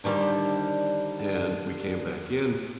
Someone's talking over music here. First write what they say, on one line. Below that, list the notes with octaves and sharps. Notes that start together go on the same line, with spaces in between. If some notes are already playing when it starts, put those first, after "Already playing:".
And we came back in,
D3 D#3 G3 D4 C5